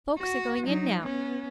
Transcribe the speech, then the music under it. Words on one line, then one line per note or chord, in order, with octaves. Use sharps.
Folks are going in now.
F#4
F#3 D#4
B3 C#4